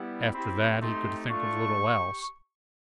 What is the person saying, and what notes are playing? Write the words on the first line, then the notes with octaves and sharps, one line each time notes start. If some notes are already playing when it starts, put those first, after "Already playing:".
After that he could think of little else.
Already playing: G3 B3 E4 G4
C4 E4 G4 B5
A3 C4 D#4 G4 C6
A3 D4 F4 C#6
G4